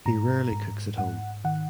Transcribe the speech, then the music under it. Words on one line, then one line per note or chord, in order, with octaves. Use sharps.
He rarely cooks at home.
G#2 A#5
G#2
G#2 F#5
D#3 F#5